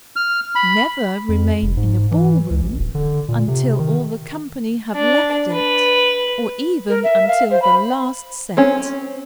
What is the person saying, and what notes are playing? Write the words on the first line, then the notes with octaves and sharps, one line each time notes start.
Never remain in a ball room until all the company have left it, or even until the last set.
F6
B5
F2
F1
G#2
E3
C#2
A1
D1
D3
A#2
C3
D#3
D4
B4
A#4
E5
F5
C5
B5
C4 C#4